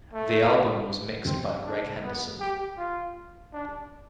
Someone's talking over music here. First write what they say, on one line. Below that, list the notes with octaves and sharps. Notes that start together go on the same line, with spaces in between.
The album was mixed by Greg Henderson.
A3
C4
D4
B3
G4
F4
D4